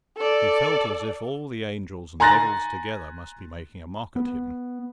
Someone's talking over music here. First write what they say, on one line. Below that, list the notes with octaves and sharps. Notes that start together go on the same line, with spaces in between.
He felt as if all the angels and devils together must be making a mock at him.
A4 D5
G#5 A#5 C6 F#6 A6 A#6
B3